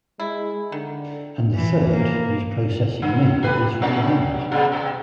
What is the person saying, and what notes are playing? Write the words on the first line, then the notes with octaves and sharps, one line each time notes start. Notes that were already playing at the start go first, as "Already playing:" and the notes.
And the third - is processing me at this very moment.
G#3 E4
D3 D#3
E3
A#3
D3 F#3
A3 G4 B4
G2 G3 C#4
A#2 C#3 G3
B2